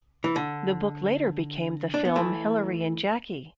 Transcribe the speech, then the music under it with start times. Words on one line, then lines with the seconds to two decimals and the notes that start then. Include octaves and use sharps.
The book later became the film "Hilary and Jackie".
0.24 E3
0.36 D3
1.94 D4
2.05 B3
2.16 E3 A3